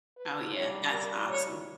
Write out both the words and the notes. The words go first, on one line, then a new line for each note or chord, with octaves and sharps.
Oh, yeah, that's awesome.
B4
G2 D#3 G3 C#5
A#4
C#5